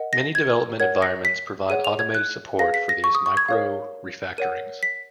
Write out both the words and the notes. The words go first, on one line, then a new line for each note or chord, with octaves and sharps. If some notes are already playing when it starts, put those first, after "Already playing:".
Many development environments provide automated support for these micro-refactorings.
Already playing: A#4 D#5 F#5
A#6
G#6
A#4 C#5 F#5 G#6
A#6
B6
G#4 C#5 F#5 D#7
F7
G#6
F#6
G#4 B4 F5 A#6
B6
A#6
C#6
D#6
C#6
G#6
A#4 C#5 F5
A#4 C#5 F#5 D#7
B6